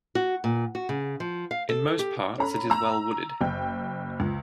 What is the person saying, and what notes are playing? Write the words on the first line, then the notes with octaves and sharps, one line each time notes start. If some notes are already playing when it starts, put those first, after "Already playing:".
In most parts it is well-wooded.
F#4
A#2
F#4
C#3
F3
F5
A4
G4
C#4 A4 A#5 B5
A#5 E6
F#1 G5
C#2